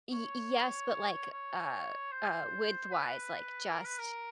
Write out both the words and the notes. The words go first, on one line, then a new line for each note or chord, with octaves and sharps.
Y y yes, but, like, uh uh, width-wise, like, just
C#5
C#5
C5
B4
A#4
B4
A#4